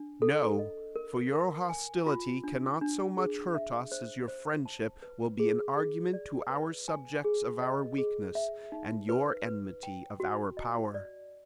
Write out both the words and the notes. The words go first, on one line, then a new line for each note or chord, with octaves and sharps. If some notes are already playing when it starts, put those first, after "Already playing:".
No; for your hostility cannot so much hurt us as your friendship will be an argument to our subjects of our weakness, and your enmity of our power.
Already playing: D4
A4
D#5
A#4
A#4
G#5
F4
D4
D4
G#4
E5
C5
C5
A5
B4
G#4
G#4
D5
B4
G#5
G#4
D#5
G#4
E5
D#4
B4
B4
G5
F#4
D#5
D5